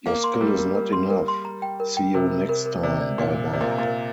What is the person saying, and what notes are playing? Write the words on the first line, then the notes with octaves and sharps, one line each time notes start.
Your skill is not enough, see you next time, bye-bye!
A#3 F5
C6
A#3
G3 A#4
A#4
A#4
C6
A#4
C6
A#5
G5
A#4
G5
C3 A#4
A#4
A#4
A#4
C3 D5
D5
A#2 D4
A#4
C3 D5
A#2
A#5
A#2
A#4